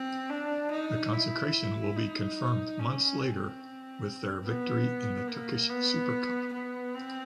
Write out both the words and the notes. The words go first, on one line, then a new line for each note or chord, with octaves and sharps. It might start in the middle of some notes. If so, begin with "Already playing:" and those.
The consecration will be confirmed months later with their victory in the Turkish Super Cup.
Already playing: C4
D4
D#4
E4
D#4
C#4
C4
B3
A#3
B3
B3
C4